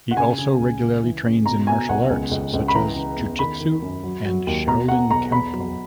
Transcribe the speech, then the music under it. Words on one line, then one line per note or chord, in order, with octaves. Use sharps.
He also regularly trains in martial arts such as jiu-jitsu and Shaolin Kempo.
F#5
C#3 G#5
C#3
C#2
C#3
E3
C#3
B2 A#5
B2 G#5
B1 F#5
C#2
C#2
C#2
B5
E3 A#5
C#3
E2
D#3 B5
D#3
F#2
F#3
F#3
D#2
B2 A#5
B2 F#5
B1 A#5
E2 B5
F#3